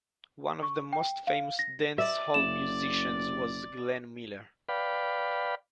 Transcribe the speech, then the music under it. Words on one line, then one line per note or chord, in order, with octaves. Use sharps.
One of the most famous dance hall musicians was Glenn Miller.
C#6
G5
F5
A#6
D5 E5
F#1 E7
B4 D5 F5 G5 B5